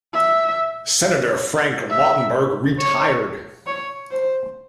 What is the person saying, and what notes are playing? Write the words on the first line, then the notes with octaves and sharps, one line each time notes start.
Senator Frank Lautenberg retired.
E5
E5
C#5
C#5
C5